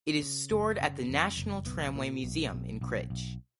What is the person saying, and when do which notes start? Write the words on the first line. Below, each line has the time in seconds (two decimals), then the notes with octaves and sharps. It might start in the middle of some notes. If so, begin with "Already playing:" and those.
It is stored at the National Tramway Museum in Crich.
0.22 C#3
0.51 F#1
0.81 C#3
1.10 F2
1.38 F#1
1.66 B1 B3
1.95 A#2
2.24 B1
2.53 B1
2.81 B1
3.10 B1